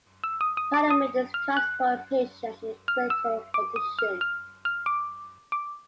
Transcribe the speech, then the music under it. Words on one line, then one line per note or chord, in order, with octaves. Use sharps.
Paramedics transport patients in critical condition.
E6
D#6
D#6
D6
D#6
F6
F#6
F6
E6
D6
D#6
F6
F6
F6
D6
D6